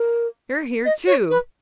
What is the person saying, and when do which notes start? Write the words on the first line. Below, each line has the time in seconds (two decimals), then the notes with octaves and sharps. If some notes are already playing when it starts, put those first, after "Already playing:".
You're here, too!
Already playing: A#4
0.85 D#5
1.07 C#5
1.30 B4